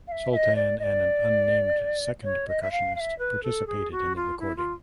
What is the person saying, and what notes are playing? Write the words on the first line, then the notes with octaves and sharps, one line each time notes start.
Sultan and an unnamed second percussionist participated in the recording.
F5
E5
E5
D#5
D5
D#5
D5
C#5
D#5
E5
F5
F5
E5
B4
A4
G#4
F#4
F4
E4
F4